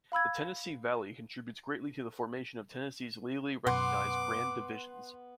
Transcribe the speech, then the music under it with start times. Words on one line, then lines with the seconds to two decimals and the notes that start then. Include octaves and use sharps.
The Tennessee Valley contributes greatly to the formation of Tennessee's legally recognized Grand Divisions.
0.12 F5 B5 E6 G#6
3.67 F#2 B2 B3 F#5 C6 D6